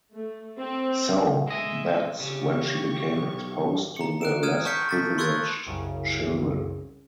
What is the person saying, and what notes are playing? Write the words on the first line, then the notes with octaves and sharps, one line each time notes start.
So that’s when she became exposed to the less privileged children.
A3
C4
G#3 D#5 E5
C#3 G4 C#6
B1
A#5 C#7
F#6 D7 E7
D#6 F6 G#6 D#7 E7
A5 C#6 F6 G6 B6 C#7
A5 A6 B6
C6 C#6 E6 F#6 G#6 A6
C2 F#2 C#3